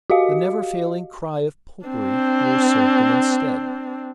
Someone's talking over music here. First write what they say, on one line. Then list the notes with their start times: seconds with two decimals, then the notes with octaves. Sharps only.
The never-failing cry of Popery here served them in stead.
0.10 F#4 G4 D#5 F5
1.86 C4 D4